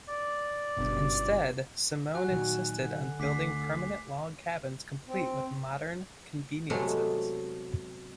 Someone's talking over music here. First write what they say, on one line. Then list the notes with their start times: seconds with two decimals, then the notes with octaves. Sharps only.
Instead, Semon insisted on building permanent log cabins complete with modern conveniences.
0.08 D5
0.77 G1 F#2 B2
2.14 F#4 G#5 F#6
2.28 A#2 D#3 F#3
2.77 D3
3.20 D2 D6 B6 C7
5.08 C4
6.70 C3 F#3 G#3 A3 B3 C6